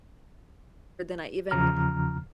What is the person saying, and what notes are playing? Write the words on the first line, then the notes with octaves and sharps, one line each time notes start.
Then I even
E2 C#3 F3 A#5 F6